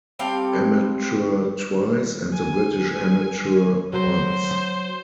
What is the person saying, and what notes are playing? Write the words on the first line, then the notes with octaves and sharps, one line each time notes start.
Amateur twice, and the British Amateur once.
G3 C4 A4 F5
G#5
F#3 C5